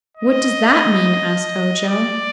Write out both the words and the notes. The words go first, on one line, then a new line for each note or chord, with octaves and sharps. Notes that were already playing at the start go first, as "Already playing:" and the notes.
"What does that mean?" asked Ojo.
D#5
D5